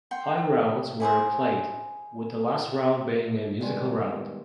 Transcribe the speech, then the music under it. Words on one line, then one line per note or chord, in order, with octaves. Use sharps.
Five rounds were played, with the last round being a musical round.
F#5 G5 C6
E4 G#4 B4 C5
B2 D#3 G3 G#3 B3